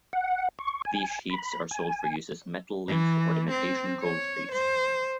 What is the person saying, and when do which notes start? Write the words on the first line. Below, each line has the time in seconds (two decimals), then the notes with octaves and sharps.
These sheets are sold for use as metal leaf or imitation gold leaf.
0.13 F#5
0.59 C#6
0.85 G#5
1.30 B5
1.71 G#5
2.88 E3
3.51 C4
4.04 C#5
4.52 C5